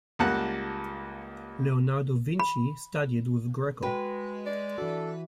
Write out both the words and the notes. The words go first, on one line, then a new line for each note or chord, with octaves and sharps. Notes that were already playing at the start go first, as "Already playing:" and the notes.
Leonardo Vinci studied with Greco.
C#2 G3 A#3 F#5 A5 F#6
B5
G#3 F#4 B4 G5
D5
E3 D4 F#4 A4